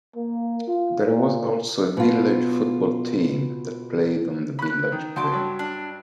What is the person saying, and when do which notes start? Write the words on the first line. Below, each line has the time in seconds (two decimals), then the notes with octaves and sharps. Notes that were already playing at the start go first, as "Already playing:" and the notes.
There was also a village football team that played on the village green.
0.16 A#3
0.68 F4
1.05 A#2
1.97 B2 F4
4.59 C#4 B5 F#6
4.92 D#3
5.16 D2 A5 C6 D6
5.31 G2 F#3
5.59 D4